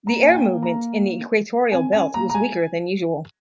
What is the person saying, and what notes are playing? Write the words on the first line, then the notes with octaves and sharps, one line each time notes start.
The air movement in the equatorial belt was weaker than usual.
A#3 A#5
G#5
G5
A#5
C4 G#5
C#4 G#5
A#3 A#5
A#5
G#3 G#5